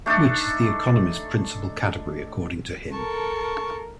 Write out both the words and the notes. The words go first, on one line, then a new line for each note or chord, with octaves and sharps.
Which is the economist’s principal category according to him.
A3 D4 D#4 A4
A4 A#4 A5 C#6